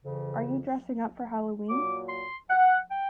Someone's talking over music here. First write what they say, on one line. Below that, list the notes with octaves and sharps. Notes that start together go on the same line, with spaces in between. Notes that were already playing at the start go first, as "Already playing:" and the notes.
Are you dressing up for Halloween?
F2 C#3 E3
A#2 F#3 A#3 D6
C6
F#5
G5